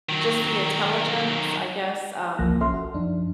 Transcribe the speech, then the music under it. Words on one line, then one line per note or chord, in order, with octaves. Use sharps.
just the intelligence, I guess, um,
D#3 F#3
G1 C#2 F3 A#3 F#6 A#6
B1 C#4 A4 E5 C6 F6
F#4
F#2 F3 D4 D#4